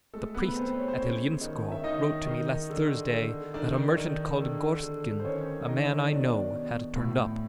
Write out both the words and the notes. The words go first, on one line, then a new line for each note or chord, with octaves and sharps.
The priest at Ilyinskoe wrote to me last Thursday that a merchant called Gorstkin, a man I know, had turned up.
G#3 A3 A4
B3 B4
B4
B2 C4 C5
C#5
C5
G#3 C#4 C#5
D#3
E5
D#3 D#4 D#5
D#3
D3
D3
D#3 D4 D5
D#3
D3
D3
C5
D#3 C#4 C#5
D#3 D#4 D#5
B2 D4 D5
B2
A2